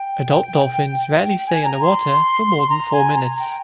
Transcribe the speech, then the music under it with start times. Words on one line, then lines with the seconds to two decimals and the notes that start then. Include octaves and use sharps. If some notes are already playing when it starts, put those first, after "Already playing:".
Adult dolphins rarely stay under water for more than four minutes.
Already playing: G5
1.30 G5
1.47 G#5
1.65 A#5
1.82 C6
2.70 A#5
2.92 G#5
3.16 A#5
3.39 G5